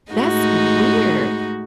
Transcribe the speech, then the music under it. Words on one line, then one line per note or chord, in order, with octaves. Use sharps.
That's weird
A2 G#3 D#4 F#4